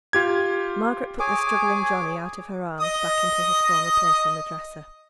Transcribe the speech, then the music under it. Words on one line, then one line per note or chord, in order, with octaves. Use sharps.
Margaret put the struggling Johnnie out of her arms, back into his former place on the dresser.
F4 G4 G#6
G#4 C#5 G#5 D6
D#5 D#6